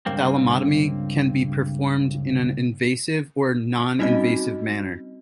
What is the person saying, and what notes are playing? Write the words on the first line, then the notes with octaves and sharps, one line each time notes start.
Thalamotomy can be performed in an invasive or non-invasive manner.
C#2 G2 A#3 C4
G3 C4 C#4 D#4 F#4 D#5